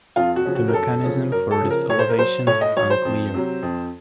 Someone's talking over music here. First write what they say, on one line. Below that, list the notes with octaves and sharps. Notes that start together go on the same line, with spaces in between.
The mechanism for this elevation is unclear.
F2 F4
F#4
C#3 F3
F#4
A#4
F#2 A4
C#3 F3
F#2 A#4
A4
C#3 F3
A#4
A2 C#5
C5
A#4
F#3 C5
A2 C#5
D#5
F#3 C#5
C5
F2
C3 F#3
F2